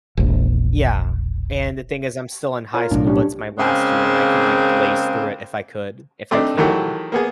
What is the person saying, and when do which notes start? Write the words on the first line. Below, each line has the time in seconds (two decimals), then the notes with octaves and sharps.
Yeah, and the thing is I'm still in high school, but it's my last year, and I can, like, blaze through it if I could if I can.
0.17 E1 A#1
2.74 F4 A#4 C#5 G#5
2.91 B1 A2 D4
3.07 G3 C#4 D4 G4
3.58 C#3 G#3 A#3 C4
6.31 A3 C4 D4 D#4
6.57 D#3 E3 F#3 A3 G4
7.12 A#3 B3 G#4